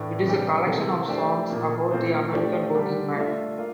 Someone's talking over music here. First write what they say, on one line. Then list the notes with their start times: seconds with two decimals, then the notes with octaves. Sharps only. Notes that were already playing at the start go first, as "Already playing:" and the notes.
It is a collection of songs about the American working man.
Already playing: A2 E3 A3 D4
0.24 C3 E3 G3 D4 G4
0.66 C3 E3 A#3 E4 A4
1.07 A3 D4 G4 C5 E5
1.49 A#2 F3 A#3
1.91 A#2 A3 C4 F4 C5
2.33 A3 D4 G4
2.75 D3 G3 D4 G4
3.16 A3 D4 F4 A4 E5
3.57 A#3 F4